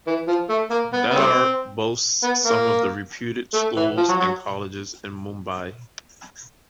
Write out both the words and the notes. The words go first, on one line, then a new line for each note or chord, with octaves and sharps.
Dadar boasts some of the reputed schools and colleges in Mumbai.
E3
F3
A3
A#3
B3
B3
G3 A3 C4
B3
A#3
A3
E3
F3
F#3
F#3